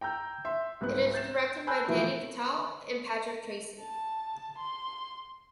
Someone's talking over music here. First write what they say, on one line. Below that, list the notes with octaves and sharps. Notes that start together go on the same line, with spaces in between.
It is directed by Dani Vitale and Patrick Tracey.
G5 A#5 E6 G6
E5 C6
C2 G#2 B3 F#6
G6 A6 C7 E7
G#5 A5 B5 E6 F#6 G6
B2 E3 F3 A3
A5
C6